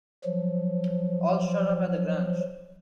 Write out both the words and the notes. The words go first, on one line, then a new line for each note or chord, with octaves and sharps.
All’s shut up at the Grange.
F3 F#3